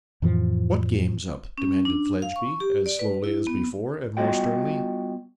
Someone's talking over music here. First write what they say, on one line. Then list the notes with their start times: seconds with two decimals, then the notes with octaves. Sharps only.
'What game's up?' demanded Fledgeby, as slowly as before, and more sternly.
0.22 F2 A2 E3 F3
1.58 C#4
1.85 D4
2.22 F5
2.36 C#6
2.60 G4
2.86 D5
2.99 B4
3.24 E4
3.47 B3
4.17 G3 B3 F4 F#4 D#5 G5